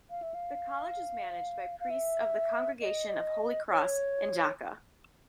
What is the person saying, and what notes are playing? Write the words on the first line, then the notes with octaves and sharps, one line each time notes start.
The college is managed by priests of the Congregation of Holy Cross in Dhaka.
F5
E5
F5
F5
E5
D#5
C#5